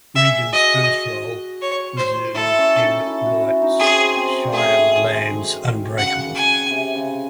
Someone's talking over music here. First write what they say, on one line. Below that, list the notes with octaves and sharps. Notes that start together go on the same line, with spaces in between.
Regan's first role was in M. Night Shyamalan's "Unbreakable".
G#4 E5
F#4 D#5
C#5
C5
E4 A4
C#4
D#4
E4
F#4
E4
D#4
C4 G#4
C4
A3 G#4
G#3
C#3 F#5
G#5
C3
C#3